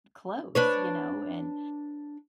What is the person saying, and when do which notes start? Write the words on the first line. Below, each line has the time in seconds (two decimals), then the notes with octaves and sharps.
close, you know, and,
0.55 D4 B4 C#5